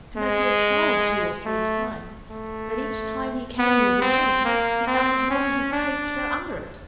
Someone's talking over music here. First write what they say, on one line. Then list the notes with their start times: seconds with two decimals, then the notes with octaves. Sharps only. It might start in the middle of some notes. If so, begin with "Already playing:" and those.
Pinocchio tried two or three times, but each time he came near the ring, he found it more to his taste to go under it.
0.17 G#3
1.45 A3
2.31 A3
3.59 B3
4.02 C4
4.45 A#3
4.87 C4
5.30 C#4
5.72 D4